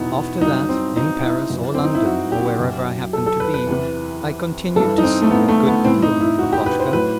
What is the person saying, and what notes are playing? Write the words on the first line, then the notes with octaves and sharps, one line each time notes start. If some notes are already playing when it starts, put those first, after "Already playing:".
After that, in Paris or London or wherever I happened to be, I continued to see a good deal of Laploshka.
Already playing: E2 B2 F#3 B3 D#4 E4
G2 F#3 D#4
C4
D#4
E4
F#2 E3
C4
D#4
E4
F#4
G4
F#4
G4
F#2 F#3
A4
A4
B4
B4
E2 C3 E3
G2 E3 A4
D#4
C4
A3
B3
A3
B3
A2 E3 C4
D#4
E4
F#4
G4
B4
C5
A2 F#3 B4